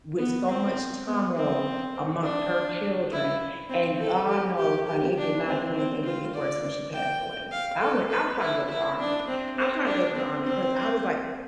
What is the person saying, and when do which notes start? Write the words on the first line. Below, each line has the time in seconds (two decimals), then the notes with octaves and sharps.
with so much turmoil amongst her children, and god knows, honey, it did not do anything but get worse when she passed away. I went I was trying to go to the army. I tried to go to the army 'cause I was like,
0.18 B3
0.47 C4
1.06 B3
1.35 C4
2.23 D4
3.11 E4
3.70 C4
4.00 A4
4.29 G4
4.58 G4
4.88 G4
5.17 D4
5.46 C4
5.76 C4
6.05 F4
6.34 D5
6.93 G5
7.51 F5
7.81 A4
8.10 B4
8.40 E4
8.69 E4
8.99 D4
9.27 C4
9.58 C4
9.86 D4
10.16 C4
10.45 C4